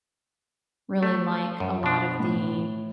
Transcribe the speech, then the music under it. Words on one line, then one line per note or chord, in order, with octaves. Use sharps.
really like a lot of the,
A3
F#2
B2 D4
A2